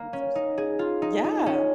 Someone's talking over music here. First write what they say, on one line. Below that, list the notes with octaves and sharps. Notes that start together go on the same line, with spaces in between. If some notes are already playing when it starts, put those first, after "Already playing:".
These are so fun. Yeah.
Already playing: A#3
C#4
D#4
G#4
F4
D#4
D#4
C#4